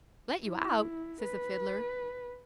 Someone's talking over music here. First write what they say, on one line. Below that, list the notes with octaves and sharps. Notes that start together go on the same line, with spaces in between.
"Let you out?" says the Fiddler.
E4
B4